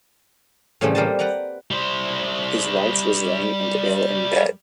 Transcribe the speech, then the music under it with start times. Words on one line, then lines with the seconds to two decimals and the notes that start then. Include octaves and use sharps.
His wife was lame and ill in bed.
0.81 A2 C#3 E3 G3 A3 C4
0.95 G3 A#3 A#4 C5 D#5 A5
1.19 B4 D5 F#5 G5 A#5
1.71 G3 C5